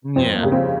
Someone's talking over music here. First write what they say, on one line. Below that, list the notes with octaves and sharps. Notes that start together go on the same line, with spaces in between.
Mm, yeah.
F2 C4
A#3
C#3 G3
C4